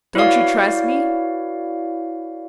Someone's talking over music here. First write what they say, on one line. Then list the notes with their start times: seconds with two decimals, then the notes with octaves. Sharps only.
Don't you trust me?
0.15 E4 F#4 B4 C#5 D5 F5